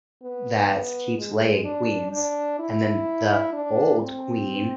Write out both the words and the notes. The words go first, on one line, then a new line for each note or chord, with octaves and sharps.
that’s keeps laying queens, and then the old queen
B3
G#3
D4
D4
E4
D4
C4